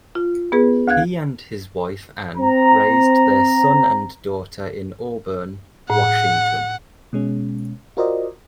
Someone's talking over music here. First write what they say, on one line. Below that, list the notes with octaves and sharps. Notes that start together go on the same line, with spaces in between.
He and his wife Ann raised their son and daughter in Auburn, Washington.
F4
B3 G#4 B4
D2 F5 F#6 G#6
C4 A#5
A2 F#5
B2 G#3 C#4
F4 F#4 A#4 C5 D5 D#5